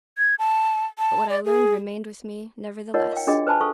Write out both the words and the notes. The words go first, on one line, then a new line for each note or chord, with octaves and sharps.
But what I learned remained with me, nevertheless.
G#6
A5
A5
D5
G#4
D#4 F4 A#4 C#5 D#5 F#5
F5 G5
D4 F4 F#4 G#4 D#5 G5
B4 C5 F5 G#5 A5 B5
A4 C5 F5 C#6